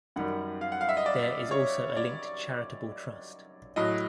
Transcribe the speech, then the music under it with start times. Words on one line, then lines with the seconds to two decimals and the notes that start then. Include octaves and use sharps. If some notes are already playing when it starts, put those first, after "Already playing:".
There is also a linked charitable trust.
0.16 F#2 D#3 G3 F#5
0.61 F5
0.72 F#5
0.81 F5
0.89 E5
0.97 D#5
1.06 D5
1.51 C#5
1.97 D5
3.76 A2 F#3 D#5